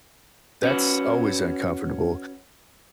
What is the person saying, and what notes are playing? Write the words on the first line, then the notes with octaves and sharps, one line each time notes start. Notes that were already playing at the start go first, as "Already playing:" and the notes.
that's always uncomfortable,
C#4 F#4 B4